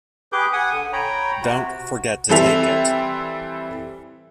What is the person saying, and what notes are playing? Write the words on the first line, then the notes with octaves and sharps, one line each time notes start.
Don't forget to take it!
G4 G#4 B4 D6 G6
F#5 G#5 D#6
D3
C#5 G5 A#5 B5
C3 F#4
F#4
E3 G3 C4 A4 E5 F7